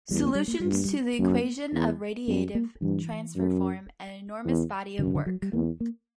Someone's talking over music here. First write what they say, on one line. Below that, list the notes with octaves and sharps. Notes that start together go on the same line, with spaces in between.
Solutions to the equation of radiative transfer form an enormous body of work.
E2 G3
A#3
G3
A#3
G2 G3
A#3
G3
F#2 A#3
E2
F#2 B3
A#3
G2 E3
F#2
E2
F#2 D3
C#3
D3
F#3
G3
E2 A#3
A#3